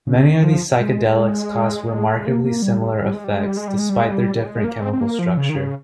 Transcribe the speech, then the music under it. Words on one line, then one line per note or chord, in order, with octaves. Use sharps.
Many of these psychedelics cause remarkably similar effects, despite their different chemical structure.
C#3
D#3
F3
G#3
A#3
A#3
G3
G3
G#3
G3
G#3
G3
G#3
G3
G#3
G3
G#3
G3
G#3
G3
G3
G#3
A#3
C4
C4
A#3
F3
C#3
D#3
C#3